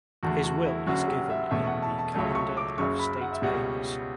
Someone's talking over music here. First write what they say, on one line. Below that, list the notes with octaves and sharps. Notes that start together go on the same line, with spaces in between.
His will is given in the "Calendar of State Papers".
E2 D3 A3 F#4
F#4
E4
F#1 F#2 D3 F#3 C#4 F#4
G4
E5
E2 B2 A3 C#4 E5
F#5
A5
A5
C#2 C#3 F#3 A3 C#4
C#6
D6
F#1 F#2 C#3 F#3 C#6
B5
F#5
E5
C#2 B2 G3 C#4 F#5